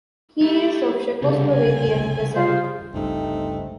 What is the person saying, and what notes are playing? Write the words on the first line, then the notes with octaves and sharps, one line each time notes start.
He is of Czechoslovakian descent.
A3 E4 G4
C2 C#3 D4 G4 A4
G#5
G3 F4 G#4 C5
G1 C#2 G2 A3 C4 D#4